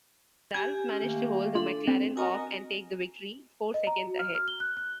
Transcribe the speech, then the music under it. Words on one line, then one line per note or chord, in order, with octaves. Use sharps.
Ralf managed to hold the McLaren off and take the victory, four seconds ahead.
G4 G#5 G#6
C#4
D#3 A3 A#3
D4 F4 A4
C4
F#4 A#4 D#5 G#5 A#5
D#5
A#5
F#4
F6
F6
G7
F#6
F#6